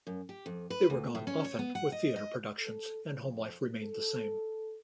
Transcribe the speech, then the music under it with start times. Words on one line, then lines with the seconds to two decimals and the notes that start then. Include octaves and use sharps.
They were gone often with theater productions and home life remained the same.
0.07 F#2
0.29 G4
0.46 F2
0.70 B4
0.90 D2
1.15 A2
1.27 C#4
1.44 C#5
1.59 B3
1.75 F#5
1.92 D#5
2.16 D#5
2.58 A4
3.14 F2
3.81 A4